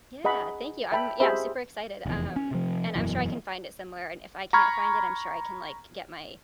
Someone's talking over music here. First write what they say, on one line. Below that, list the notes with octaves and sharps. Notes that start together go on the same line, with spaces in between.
Yeah, thank you, I'm yeah, I'm super excited, um, and I'm sure I can find it somewhere. And if I can't find it, I'm sure I can, like, get my,
G#4 D#5 F#5 B5
E5 G5 A5 B5
G4 G#4 C5 D#5 E5 B5
F1 E2
C#4
C3 F3
E1 F#2 B2 E3
A#5 B5 C#6 F6 G#6